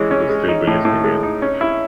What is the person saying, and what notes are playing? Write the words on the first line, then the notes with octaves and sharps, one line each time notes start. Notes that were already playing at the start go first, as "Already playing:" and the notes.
He could still be listening in.
Already playing: E3 G#3 C#4
C#4
G#3
D#4
A2
A2
G#3
D#4
C#4
E4